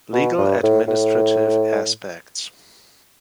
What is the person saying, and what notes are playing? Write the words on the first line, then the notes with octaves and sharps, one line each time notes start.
Legal administrative aspects.
B2
G2
A2
A2